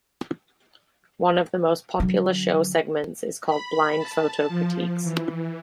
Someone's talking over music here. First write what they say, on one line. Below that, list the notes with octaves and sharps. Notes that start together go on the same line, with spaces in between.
One of the most popular show segments is called "Blind Photo Critiques".
D3 F#3
B5
A5
F3
E3